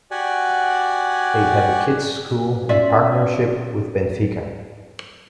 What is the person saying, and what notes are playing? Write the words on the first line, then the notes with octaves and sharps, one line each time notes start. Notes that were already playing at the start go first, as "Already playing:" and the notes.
They have a kids school in partnership with Benfica.
F#4 G4 D5 F#5 G#5
C#4 F4 D5 E5